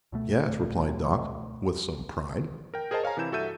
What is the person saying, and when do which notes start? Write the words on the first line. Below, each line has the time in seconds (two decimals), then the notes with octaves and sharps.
"Yes," replied Dot, with some pride.
0.12 C#2 B2 A3
2.74 A#4 G5
2.91 G#4 A#4 C5 D#5 A5
3.03 C#5 F5 G#5 A#5
3.17 C3 E3 E4 G6 E7
3.32 G2 F#4 A4 E5 G6 D#7